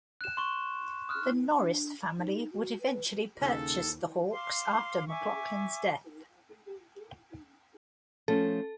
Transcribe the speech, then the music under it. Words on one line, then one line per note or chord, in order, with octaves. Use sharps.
The Norris family would eventually purchase the Hawks after McLaughlin's death.
F#6 E7
C6 C#6
D#6 F6 F#6
D4
D#4
F#4
B4
D#2 C#3 A4
F5 C6 D6
E5 G#5 C#6 D6
F3 A3 C#4 A4